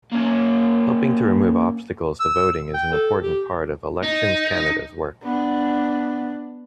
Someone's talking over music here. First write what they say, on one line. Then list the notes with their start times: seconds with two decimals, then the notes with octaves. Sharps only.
Helping to remove obstacles to voting is an important part of Elections Canada's work.
0.12 A#3 C#4
2.20 E6
2.74 G5
2.92 A4
3.22 G4
4.03 D#4
5.24 B3 D4